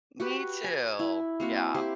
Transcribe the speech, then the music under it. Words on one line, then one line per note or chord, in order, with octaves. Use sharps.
Me too, yeah.
F#4 G4 B4
G#5
E4
A#3 C4 F#4
E4 G4 C5